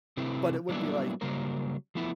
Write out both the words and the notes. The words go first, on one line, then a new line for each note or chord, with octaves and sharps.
but it would be like
C3 A3 C4 E4 B4
F#3 G3 A#3 B3 D4 E4
C#3 F#3 G3 A#3 A#4 C5
F3 A3 B3 E4